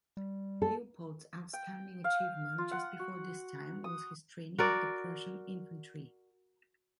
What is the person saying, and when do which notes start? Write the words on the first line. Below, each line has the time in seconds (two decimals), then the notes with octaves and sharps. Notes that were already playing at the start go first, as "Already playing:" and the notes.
Leopold's outstanding achievement just before this time was his training of the Prussian infantry.
0.17 G3
0.62 A4
1.53 G5
2.04 F5
2.58 F4
2.71 F#5
2.99 F#4
3.84 D#6
4.58 F#4 A#4 D5